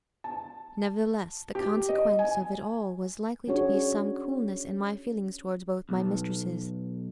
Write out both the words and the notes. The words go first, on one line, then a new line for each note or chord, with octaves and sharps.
Nevertheless, the consequence of it all was likely to be some coolness in my feelings towards both my mistresses.
A5
G4
D#5
G#5
C#4 D4 F#4 G#4 C#5
B1